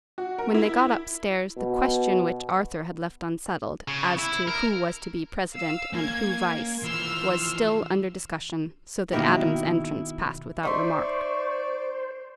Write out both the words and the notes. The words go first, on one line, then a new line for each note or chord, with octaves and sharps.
When they got upstairs, the question which Arthur had left unsettled, as to who was to be president, and who vice, was still under discussion, so that Adam's entrance passed without remark.
F#4
A#4
E4
B2
C#3
E4
A#4
F5 E6
A#3 C#4 G#6
E3 F3 C6 E6 F6
B2 D#3 A#3 D#4 E4 G4
D#4 C5 D5 E5 C6 C#6